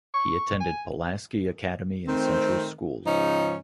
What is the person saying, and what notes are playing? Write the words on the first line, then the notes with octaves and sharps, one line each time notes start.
He attended Pulaski Academy and Central Schools.
C#6
G#5
D#3 A3 C4
G#2 C#3 F3 C#4 D#4